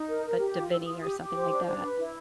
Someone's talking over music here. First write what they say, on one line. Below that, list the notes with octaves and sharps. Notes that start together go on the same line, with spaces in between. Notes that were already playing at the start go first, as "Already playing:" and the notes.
but Dhivehi or something like that.
Already playing: D#4
A#4
A#4
G4
F4 D6
F4 E6
F4 D#6
G4 D#6
G4
D6
C5
D4
D4
B4
E4